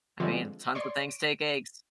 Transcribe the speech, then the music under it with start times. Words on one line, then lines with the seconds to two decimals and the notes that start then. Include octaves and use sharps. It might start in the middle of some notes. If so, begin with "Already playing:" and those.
I mean, tons of things take eggs.
0.20 D3 E3 F3 G#3 C4 F4
0.75 C#5 D5 C6 C#6
1.10 D7